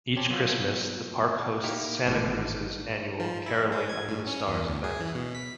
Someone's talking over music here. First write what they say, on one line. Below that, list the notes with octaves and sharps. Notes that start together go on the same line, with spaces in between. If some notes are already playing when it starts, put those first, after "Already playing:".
Each Christmas the park hosts Santa Cruz's annual "Caroling under the Stars" event.
C#4 G4 C5 A5
F#3 B3 F4
A#3 D#4 E4 G4 A#4
G#1 A2 D3 E3
F3
E4
G#3
G#6
A2
C#4
E2
D2
G#4
E3
B2
B6